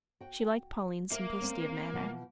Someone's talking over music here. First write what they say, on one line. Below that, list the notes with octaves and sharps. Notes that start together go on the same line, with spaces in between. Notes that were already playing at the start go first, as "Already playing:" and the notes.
She liked Pauline's simplicity of manner.
F#4 G5
A#3 E5
A3 C4 C#4
B2 E3 F3